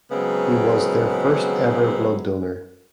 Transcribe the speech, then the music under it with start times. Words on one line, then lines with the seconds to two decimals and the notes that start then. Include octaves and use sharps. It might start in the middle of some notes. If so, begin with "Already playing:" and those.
He was their first ever blood donor.
0.11 C#3 F#3 G#3 B3 C4